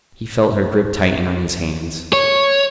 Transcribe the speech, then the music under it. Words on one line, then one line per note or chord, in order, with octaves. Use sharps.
He felt her grip tighten on his hands.
C#5